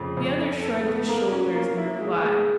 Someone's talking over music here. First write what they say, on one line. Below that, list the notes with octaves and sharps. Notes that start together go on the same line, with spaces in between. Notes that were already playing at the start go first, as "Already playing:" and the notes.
The other shrugged his shoulders in reply.
Already playing: F2 C#3 A3
F2
A4
A4
B3
A#3
C#4
A#3
E4
G#3
G#3